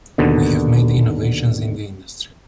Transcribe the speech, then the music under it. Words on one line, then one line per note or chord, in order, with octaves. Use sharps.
We have made innovations in the industry.
D#2 B2 D3